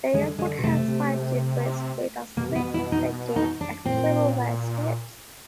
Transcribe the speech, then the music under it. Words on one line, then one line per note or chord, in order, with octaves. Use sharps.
The airport has five jetways with a sixth gate accessible via stairs.
D3 G#3
D3 G#3
B2
C3 A3
C3
B2 A#3
C3
B3
B2
E4
D#4
D#4
D4
A#2 C4
A2
A#2